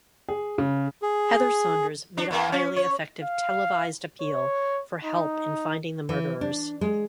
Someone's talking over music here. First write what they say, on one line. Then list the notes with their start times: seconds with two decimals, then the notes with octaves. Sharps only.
Heather Saunders made a highly effective televised appeal for help in finding the murderers.
0.28 G#4
0.58 C#3
1.02 G#4
2.18 D4
2.31 E2 E3 A#3
2.52 C#4
2.76 C#5
3.23 F5
4.21 C#5
5.05 D#4
6.09 E3
6.41 D4
6.81 G#3